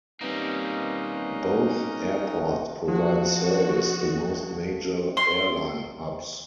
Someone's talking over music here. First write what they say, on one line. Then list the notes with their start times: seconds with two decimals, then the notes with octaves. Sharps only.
Both airports provide service to most major airline hubs.
0.21 G3 A#3 C4 C#4 D#4 A#4 B4 F#5
2.88 F3 F#4
5.17 C6